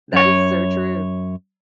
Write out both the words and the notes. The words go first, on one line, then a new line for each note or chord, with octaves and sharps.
That is so true.
F#2 C#5